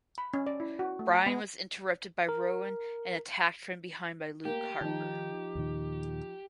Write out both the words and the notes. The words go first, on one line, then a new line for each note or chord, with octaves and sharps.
Bryan was interrupted by Rowan and attacked from behind by Luke Harper.
B5
C#4
D5
E4
F#4
A3
G#5
B3
A#4
A#3 G4
D#3 F3 D#4
D#2 A#2 D#3